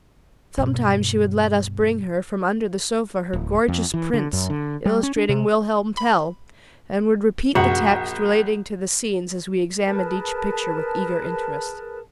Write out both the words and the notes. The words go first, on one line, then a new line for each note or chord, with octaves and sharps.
Sometimes she would let us bring her, from under the sofa, her gorgeous prints, illustrating "Wilhelm Tell," and would repeat the text relating to the scenes as we examined each picture with eager interest.
G2 B2
D1
F2
E3
D3
F#2
D3
G3
C#4
D4
C3
B5
A#1 F#2 C3 F#4
G#4 A#4 B4 A5